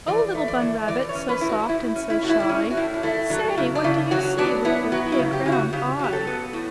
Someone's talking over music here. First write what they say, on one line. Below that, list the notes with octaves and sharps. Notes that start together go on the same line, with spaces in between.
"Oh, Little Bun Rabbit, so soft and so shy, Say, what do you see with your big, round eye?"
E3 D5
A3
D5
E3
E3 D5
C#5
C#4
B4
A2 E4
F#4
A2 E4
C#4
E4
A2 F#4
E4
E4
C#4 D4
F#4
A2 E4
D4
A3 E4
F#3 D4
C#3 E4
D4
C#3 E4
F#3 F#4
B3 D4
B3 E4
F#3 F#4
E4
C#3
G4
C#3 E4
F#4
C#3 G4
F#3 G4
A4
B3
A2